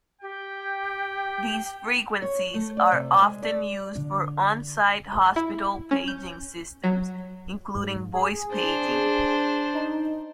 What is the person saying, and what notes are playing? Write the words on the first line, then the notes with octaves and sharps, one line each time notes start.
These frequencies are often used for on-site hospital paging systems, including voice paging.
G4 G5
C#5
A3
D5
C3
G#3
D5
D3
G#1
E4
C#4
G6
F#3
G#2
G#4
D4 C5
D#4